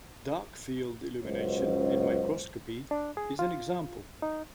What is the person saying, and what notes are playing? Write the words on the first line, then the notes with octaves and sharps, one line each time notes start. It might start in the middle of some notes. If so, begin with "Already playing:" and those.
Dark-field illumination in microscopy is an example.
C#2 F#2 B2 C5
D4
G#4
F4
D#4